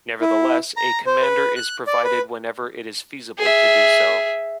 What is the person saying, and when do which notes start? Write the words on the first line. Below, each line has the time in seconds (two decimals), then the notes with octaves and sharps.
Nevertheless, a commander is provided whenever it is feasible to do so.
0.21 E4
0.77 A#5
1.06 C5
1.22 B4
1.56 F#6
1.87 D5
2.04 B4
3.38 G#4 E5